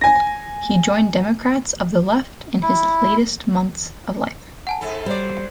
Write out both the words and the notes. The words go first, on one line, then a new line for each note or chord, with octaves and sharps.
He joined Democrats of the Left in his latest months of life.
G#5 A#6
E4
F#5 G#5 A5
G#2 A4
F#3 G3 C5 D5